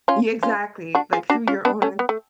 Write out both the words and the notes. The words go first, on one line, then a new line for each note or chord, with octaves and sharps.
Yeah, exactly, like, through your own
C#4 F4
C#4 F4
D4 F#4
F4 G#4
D4 F#4
C#4 F4
B3 D4
A3 C#4
B3
A3